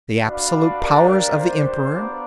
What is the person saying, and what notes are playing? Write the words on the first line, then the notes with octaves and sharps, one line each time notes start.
The absolute powers of the Emperor.
D4 F#4 B4 D5 F5
D4 G4 A#4 D5 F5
D4 G4 C5
B3 D4 F4 A#4 D5